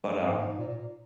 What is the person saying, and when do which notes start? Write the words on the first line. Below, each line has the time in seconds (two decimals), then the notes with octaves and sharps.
but, um,
0.18 F#2
0.28 G#2
0.38 G#2
0.48 G#2
0.58 A#2
0.68 A#2